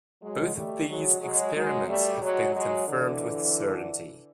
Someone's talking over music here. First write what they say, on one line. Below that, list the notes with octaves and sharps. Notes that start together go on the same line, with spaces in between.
Both of these experiments have been confirmed with certainty.
F#3 G#3
G3 A3
F#3 G#3
F#3 G#3
F#3 G#3
G3 A3
F#3 G#3
F#3 G#3
D3 E3